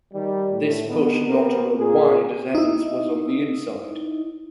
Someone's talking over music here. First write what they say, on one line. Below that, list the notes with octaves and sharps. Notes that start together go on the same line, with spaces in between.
This pushed Lotterer wide as Evans was on the inside.
D#3 G3
A2
D3 D#3 B3
C3 B3 C4 A#4
A#2 G#4
D#4 E4